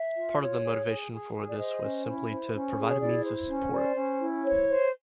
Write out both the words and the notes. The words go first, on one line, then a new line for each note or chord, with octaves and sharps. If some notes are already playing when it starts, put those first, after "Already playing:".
Part of the motivation for this was simply to provide a means of support.
Already playing: E5
F4
C#5
G#4
G#4
G#4
G#4
D5
C5 D#5
C#4
E4
C5
C#4
G#4
C#5
E4 D5
C5
C#4
C5 D5
C#4
E4
C5 C#5
C5